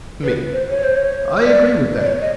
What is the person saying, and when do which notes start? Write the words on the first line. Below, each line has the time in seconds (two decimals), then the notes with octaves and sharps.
ME: I agree with that.
0.23 B4
0.53 C5
0.70 C#5
0.84 C5
0.97 C#5
1.45 D5
2.00 D5
2.07 C#5
2.22 D#5